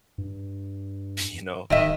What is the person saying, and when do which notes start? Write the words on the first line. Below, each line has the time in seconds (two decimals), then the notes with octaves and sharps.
you know?
0.18 G2
1.70 D1 D#3 D#5 E5